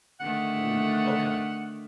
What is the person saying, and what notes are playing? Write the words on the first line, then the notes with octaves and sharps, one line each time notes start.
Ooh, okay,
D3 D#3 A3 F#5